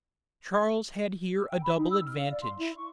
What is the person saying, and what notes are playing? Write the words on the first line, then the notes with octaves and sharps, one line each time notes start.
Charles had here a double advantage.
E6
G5
B5
D#4
E6
F6
F5
D5
C6
E4
C#6